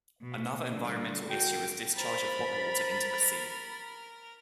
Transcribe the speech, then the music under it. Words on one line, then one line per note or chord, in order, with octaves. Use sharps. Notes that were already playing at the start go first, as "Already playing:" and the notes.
Another environmental issue is discharge of hot water into the sea.
B2
D3 G3
F#4 A#4 G5
A#4 C5 B5 A6